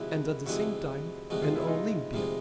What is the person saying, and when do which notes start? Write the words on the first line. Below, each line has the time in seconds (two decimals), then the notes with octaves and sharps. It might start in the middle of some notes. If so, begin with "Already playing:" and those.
And at the same time an Olympian.
Already playing: D2 C3 F3 G#3 E4 F#4
0.46 D2 C3 F3 G#3 E4 F#4
1.30 D2 C3 F3 G#3 F#4
1.42 F4
1.55 E4
1.67 D#4 F4
2.13 D2 C3 F3 G#3